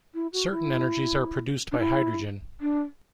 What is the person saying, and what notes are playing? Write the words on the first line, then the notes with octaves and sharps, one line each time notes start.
Certain energies are produced by hydrogen.
E4
F#4
E4
D4
E4
D4